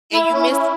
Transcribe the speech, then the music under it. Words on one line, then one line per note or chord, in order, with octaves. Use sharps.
and you miss
E4
C#4
E4